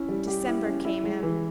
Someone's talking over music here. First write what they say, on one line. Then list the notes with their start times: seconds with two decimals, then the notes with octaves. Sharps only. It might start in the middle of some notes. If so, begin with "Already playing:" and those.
December came in.
Already playing: C#4 E4
0.08 G3
0.27 G4
0.46 E4
0.65 C#4
0.85 E4
1.04 G#3
1.23 E3